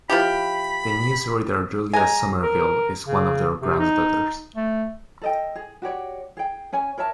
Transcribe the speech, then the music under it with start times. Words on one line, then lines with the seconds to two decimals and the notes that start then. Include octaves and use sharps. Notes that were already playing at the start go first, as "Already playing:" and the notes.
The news reader Julia Somerville is one of their granddaughters.
0.10 F3 E4 G4 B5
1.93 G#3 G#5 A#5
2.43 A#4
3.07 C#3
3.61 C3
3.79 D#4
4.56 A3
5.21 A4 D#5 G5
5.55 G#4
5.82 F#4 G4 C#5 D5
6.37 G#4 G5
6.72 C#4 C#5 G#5
6.98 A#4 C#5 E5 A5